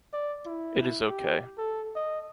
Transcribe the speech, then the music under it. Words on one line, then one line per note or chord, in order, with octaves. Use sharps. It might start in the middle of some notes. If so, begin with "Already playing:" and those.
It is okay...
D5
E4
G4
A4
D#5